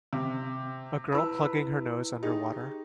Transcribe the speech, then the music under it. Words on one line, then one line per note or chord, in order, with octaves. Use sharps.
A girl plugging her nose underwater.
C3
E4 B4 A5 B5 E6
D#4 G4 G#4